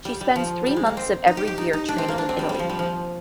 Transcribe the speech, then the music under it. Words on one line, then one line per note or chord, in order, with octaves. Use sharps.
She spends three months of every year training in Italy.
G3
G3
F3
G3
G#3
A#3
C4
D#4
G4
G4
D#4
D#4
D4
C4
A#3
D4
C4
G3
G3
F3
G3
F3